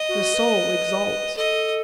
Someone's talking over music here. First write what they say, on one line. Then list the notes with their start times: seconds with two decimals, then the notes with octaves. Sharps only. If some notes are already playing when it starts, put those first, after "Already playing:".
The soul exults.
Already playing: D#5
0.09 F#4
0.34 B4
1.37 A4 D#5